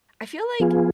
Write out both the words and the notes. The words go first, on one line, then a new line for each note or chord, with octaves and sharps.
I feel like
F3 B3 F4 G#4